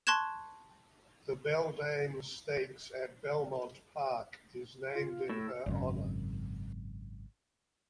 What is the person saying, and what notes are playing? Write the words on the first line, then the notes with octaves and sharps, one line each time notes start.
The Beldame Stakes at Belmont Park is named in her honor.
A5 C6 C#6 F#6 G#6 E7
F4
A2 E6
G#1 F#2 C#3